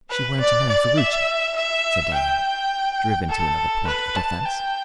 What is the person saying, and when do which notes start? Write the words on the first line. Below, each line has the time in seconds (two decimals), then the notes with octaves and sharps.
"She wanted to marry Ferruci," said Diana, driven to another point of defence.
0.10 B4
0.40 D5
0.69 D5
0.98 E5
1.56 E5
2.13 G5
3.29 A4
3.87 B4
4.16 A5
4.45 G5